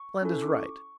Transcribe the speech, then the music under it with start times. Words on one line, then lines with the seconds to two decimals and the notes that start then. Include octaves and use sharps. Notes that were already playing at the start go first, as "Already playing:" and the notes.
Land is right.
Already playing: C#6
0.22 C#4 E4 A4
0.42 D6
0.54 C#6